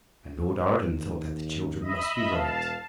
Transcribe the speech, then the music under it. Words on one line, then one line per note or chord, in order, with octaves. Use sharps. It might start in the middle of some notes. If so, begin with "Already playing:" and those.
And Lord Arden thought that the children must be right.
D#2
D#5 E5 B5
E1 F5 A5